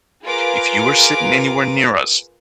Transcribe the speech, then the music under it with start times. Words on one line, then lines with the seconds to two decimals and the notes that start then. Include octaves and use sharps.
if you were sitting anywhere near us
0.24 F4 G#4 A#4 B4 D6